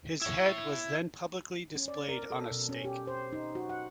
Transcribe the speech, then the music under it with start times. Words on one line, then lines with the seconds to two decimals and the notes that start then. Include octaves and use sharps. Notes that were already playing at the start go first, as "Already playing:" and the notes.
His head was then publicly displayed on a stake.
0.22 E4 C#5
1.76 C#4
1.88 D5
2.08 A#4
2.31 A4
2.51 B2
2.69 C#4
2.85 G4
3.07 C5
3.33 D#4
3.55 F#4
3.69 F#5